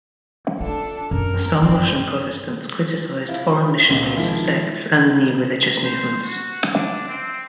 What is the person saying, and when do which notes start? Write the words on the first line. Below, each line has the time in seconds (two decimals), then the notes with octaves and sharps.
Some Russian Protestants criticized foreign missionaries, sects and new religious movements.
0.60 D4 F4 A4
1.11 F#2 A#4
1.62 G2 C4 D5
3.29 E4 F4
3.89 C#2 A#2
4.17 D#3 F3 G#3 C4 E4
5.85 C5
6.24 F#4
6.75 D4
7.08 C4